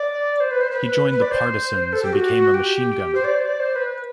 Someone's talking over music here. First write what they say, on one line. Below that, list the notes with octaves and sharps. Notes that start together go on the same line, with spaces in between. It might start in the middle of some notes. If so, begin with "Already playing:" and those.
He joined the partisans and became a machine gunner.
Already playing: D5
C5
B4
C5
B4
B4
D5
C5
A4
G4
F#4
G4
C5
D5
C5
D5
C5
B4